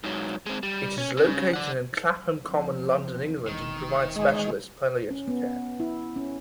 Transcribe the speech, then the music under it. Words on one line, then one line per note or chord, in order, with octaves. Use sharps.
It is located in Clapham Common, London, England and provides specialist palliative care.
G#2 F#3
G#3 C4
G3
C#4
C#3
D5 F#5
E2 F3 C4
E1 D#3
E2 A2 E3 G#3
C#4
B3
E4
C#4